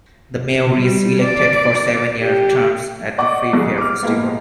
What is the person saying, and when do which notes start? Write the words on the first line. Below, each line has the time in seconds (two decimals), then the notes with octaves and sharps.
The Mayor is elected for seven-year terms at the Free Fair Festival.
0.76 G3
1.21 D5
2.22 G4
3.18 D5 D#5 F#5 C#6 D6
3.53 C2 F3 G#3
3.78 D6 F6
4.03 A2 G#3 A#3 B3